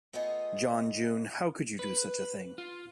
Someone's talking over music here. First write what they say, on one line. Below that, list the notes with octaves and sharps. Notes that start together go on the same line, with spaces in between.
John June, how could you do such a thing?
A3 B3 F4 G#4 D#5
B4
F4